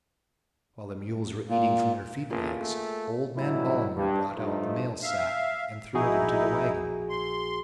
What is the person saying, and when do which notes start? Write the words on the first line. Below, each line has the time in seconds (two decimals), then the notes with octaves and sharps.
While the mules were eating from their feed bags old man Ballinger brought out the mail sack and threw it into the wagon.
1.49 A#2
2.30 A1 A#3 F4 G#4
2.60 A3
3.36 A2 E3 F#3 G3 D#4 E4
3.96 G2
4.35 G2 F3 A3 D#4
5.03 E5 F5
5.94 A#1 D#4 E4 F#4 G#4
7.10 C6